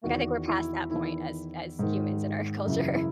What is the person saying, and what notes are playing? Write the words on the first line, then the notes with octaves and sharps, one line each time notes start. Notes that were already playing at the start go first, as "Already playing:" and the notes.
Like, I think we're past that point as as humans in our culture.
E2 D#3 F#4
E4
E2 D#3 E4
G#2 D#3
F#2 C#3 E3
E4